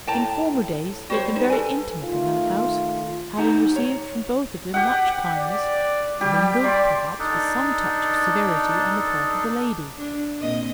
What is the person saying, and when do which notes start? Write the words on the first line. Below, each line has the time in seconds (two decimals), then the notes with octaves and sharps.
In former days he had been very intimate in that house, having received from both of them much kindness, mingled, perhaps, with some touch of severity on the part of the lady.
0.07 A2 G5 A5 A#5
1.10 G3 F#4 C5 C#5
1.36 D#4 C5
1.50 A4 B4 G#5
2.02 D#3 A3 F4
3.38 D2 D#4 G4 F#5 G#5 A#5
3.76 C#5
4.74 G4 F#5
5.36 D5
6.21 G3 G4
6.64 D5 C6
7.19 D4 D#4 A4
9.97 D4
10.41 A#2 C4 D#5